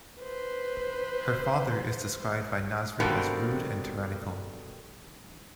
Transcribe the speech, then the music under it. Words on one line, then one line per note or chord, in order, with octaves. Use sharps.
Her father is described by Nasrin as rude and tyrannical.
B4 C5
B2 D3 D#3 G3 A#3 C4